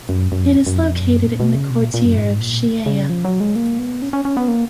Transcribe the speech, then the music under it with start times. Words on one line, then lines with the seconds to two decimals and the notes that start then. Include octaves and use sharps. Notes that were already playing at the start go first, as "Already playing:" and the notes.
It is located in the quartiere of Chiaia.
0.09 F#2
0.32 F#2
0.44 F2
0.67 F#2
0.78 F2
1.01 F#2
1.25 A#2
1.40 B2
1.55 C#3
1.70 B2
1.82 A#2
1.94 A#2
2.05 F#2
2.17 G#2
2.40 A#2
2.86 C#3
3.10 F3
3.25 F#3
3.40 G#3
3.56 A#3
3.79 B3
4.02 C#4
4.13 C#4
4.25 C#4
4.37 B3
4.48 A#3